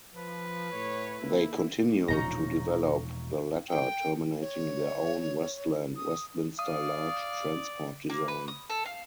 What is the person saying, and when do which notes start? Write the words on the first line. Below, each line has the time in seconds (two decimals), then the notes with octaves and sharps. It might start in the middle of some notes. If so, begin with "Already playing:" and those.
They continued to develop the latter, terminating their own Westland Westminster large transport design.
0.14 F3 B4
0.72 A2 C#5
1.19 A#3 E4
2.08 E1 A#1 F3 C#4 D#4 A#5
3.69 G5
4.40 C#5
5.97 D#6
6.59 D5 F5 D#6
8.10 A#3
8.28 B4
8.48 D#6
8.70 A4
8.85 F5